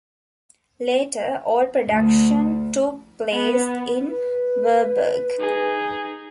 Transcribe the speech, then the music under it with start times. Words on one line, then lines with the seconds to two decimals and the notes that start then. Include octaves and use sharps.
Later all production took place in Varberg.
1.87 D2
3.32 B3
4.09 B4
5.38 D#4 G#4